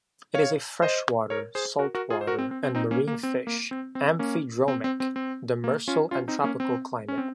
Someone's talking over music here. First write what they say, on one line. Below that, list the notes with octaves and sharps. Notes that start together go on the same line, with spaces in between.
It is a freshwater, saltwater and marine fish; amphidromic; demersal and tropical climate.
C#5 F5
C5 D#5
A#4 C#5
G#4 C5
F#4 A#4
F#4 A#4
F4 G#4
C5
F#4 A#4
C4
C4
C4
C4 D#4
A#3 C#4
A#3
C4
A#3
C4
C4
A#3 C#4
C4
C4
C4
C4
A#3
C#4 F4
C#4 F4
C4 D#4
A#3 C#4
C4
C#4
C4